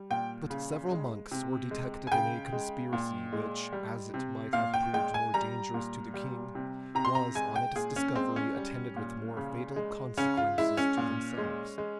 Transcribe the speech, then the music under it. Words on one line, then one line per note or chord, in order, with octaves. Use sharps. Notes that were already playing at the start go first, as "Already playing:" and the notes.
But several monks were detected in a conspiracy, which, as it might have proved more dangerous to the king, was on its discovery attended with more fatal consequences to themselves.
Already playing: G3
A#2 G5
C#3
G#3
C3
G#3
G#5
C#3 G5
G#3
A#2
G#3
G3
C3
A#2 F5
G5
G#3 G5
G#5
G3 A#5
A#2
G3
C3
C3 A#5
C6
A#5
G#3 G#5
G5
A#2 G#4
C#4
G#3 C4
C#4
G3
A#2
C#3
G#3
C#3 C#4
F4
G#3 E4
C#4
A#2
G#3
G#3